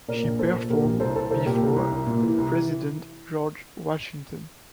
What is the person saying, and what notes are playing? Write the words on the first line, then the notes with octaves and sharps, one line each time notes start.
She performed before President George Washington.
A#2 A#4 D5
A#1
A#2 A4 C5
A#2
A#2 G4 A#4
A#1
C2 A4 C5
C2 A4 C5
C2 A4 C5
A#2 G4 A#4
C2
C2
C2
A#2
E3
C2
E3